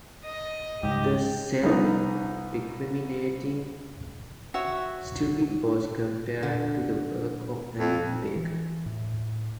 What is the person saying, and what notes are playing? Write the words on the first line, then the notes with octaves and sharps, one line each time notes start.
The self-recriminating "Stupid" was compared to the work of Anita Baker.
D#5
C#2 G#2 G4
C2 F3 B3 D#4
F#4 C#5 E5 F#5
D3
F2
E3
A2